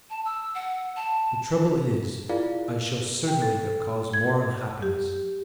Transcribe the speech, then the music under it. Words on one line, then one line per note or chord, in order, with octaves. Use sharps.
The trouble is I shall certainly have caused more unhappiness....
A5
E6
F#5
A5
E4 F4 G#4 A#4 D5 F5
G5
A4
G#6
G4